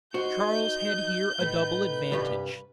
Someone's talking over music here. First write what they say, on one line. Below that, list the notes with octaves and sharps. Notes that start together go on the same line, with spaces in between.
Charles had here a double advantage.
D#4 F#4 C5 G6
A2 A3 D#4 B4
C2 G2 G3